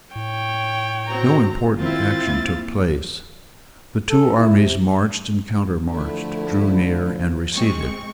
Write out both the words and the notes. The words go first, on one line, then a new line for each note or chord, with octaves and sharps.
No important action took place. The two armies marched and countermarched, drew near and receded.
A2 C#5 G5
C4 F#4 A#5
D#3 C4 E4 F4 A6
A#3
A4
E4
C3
D3 F3 A3 E4
G#3 C4 C#6